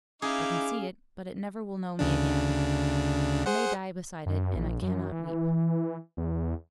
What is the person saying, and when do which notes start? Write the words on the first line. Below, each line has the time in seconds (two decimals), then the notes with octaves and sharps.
I can see it, but it never will know me again; I may die beside it, and it cannot weep.
0.22 C#4 D#4 E4 G#4 F5 D6
1.99 D2 C#3 D4
3.46 G#4 C5 F#5
4.26 F#2
4.56 A#1
4.82 F#2
5.12 E3
6.17 E2